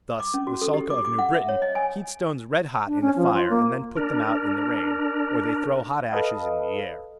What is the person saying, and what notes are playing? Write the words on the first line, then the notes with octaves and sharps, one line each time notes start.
Thus the Sulka of New Britain heat stones red hot in the fire and then put them out in the rain, or they throw hot ashes in the air.
D6
C#4
F#4
A4
G4
D6
D6
F#5
E5
C#5
D#5
G#5
D4
C#4
F3
F4
A#3
D4 A#4
A4 B4 D#5 F5